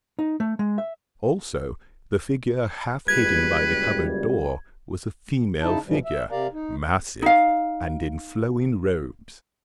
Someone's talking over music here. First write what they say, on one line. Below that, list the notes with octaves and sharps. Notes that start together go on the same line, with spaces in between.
Also the figure half-hidden by the cupboard-door--was a female figure, massive, and in flowing robes.
D#4
A3
G#3
E5
F#1 C#2 G3 B4 G#6
C#3 D#4 E4 A5
F#2 B2 E3 F3 G3
E5
C3 G4 A#4 D5 F5 A#5
D#4
D#4 F5